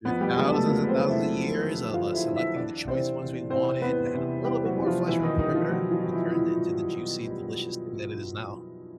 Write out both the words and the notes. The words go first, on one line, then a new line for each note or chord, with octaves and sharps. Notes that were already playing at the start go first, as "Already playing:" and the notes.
through thousands and thousands of years of, uh, selecting the choice ones we wanted that had a little bit more flesh around the perimeter, we turned it into the juicy, delicious thing that it is now.
F2 B3 B4
G3 G4
D3 F#3 G#3 G#4
A3 A4
F2 A#3 A#4
B4
C4 C5
D3 F#3
E4 E5
F2
D3 F#3
F2 F4 F5
E4 E5
D3 F#3
E4 E5
E2 D4 D5
C3 E3 C4 C5
E2
C3 E3 C4 C5
E2 B3 B4
C3 E3
E2 G3 G4
F#3 F#4
C3 E3
F3 F4
B2 E3 E4
D#3 D#4
D#3 G3 D#4
F3 F4
B2 F#3 F#4
F3 F4
G3
E3 E4
B2 E3 E4
G3
B2
G3